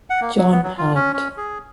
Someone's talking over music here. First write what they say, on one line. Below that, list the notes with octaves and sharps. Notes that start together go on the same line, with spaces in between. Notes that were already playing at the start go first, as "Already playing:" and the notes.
John Hand.
F#5
A#3
F#3
B3
F#3
F4
C#4
C#4
G#4